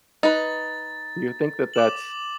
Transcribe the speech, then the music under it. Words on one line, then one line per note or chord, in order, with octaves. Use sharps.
Do you think that that's
D#4 B4 A6
D6 E7 F#7